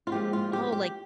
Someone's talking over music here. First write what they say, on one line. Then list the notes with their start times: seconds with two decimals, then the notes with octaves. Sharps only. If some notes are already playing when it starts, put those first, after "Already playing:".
oh, like
0.07 F4
0.12 A#2 F3 G#3 G4
0.33 F4
0.53 G4
0.72 G4